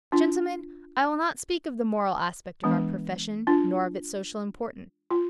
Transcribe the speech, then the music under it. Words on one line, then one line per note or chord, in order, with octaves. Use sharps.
Gentlemen, I will not speak of the moral aspect of our profession nor of its social importance.
D4 F4
E3 G#3 B3 D4
D4 F4
F4